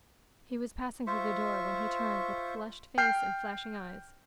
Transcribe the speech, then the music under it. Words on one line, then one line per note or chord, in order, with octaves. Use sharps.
He was passing through the door, when he turned, with flushed face and flashing eyes.
F4 C5 E5 C#6
G5 F6 G6 C7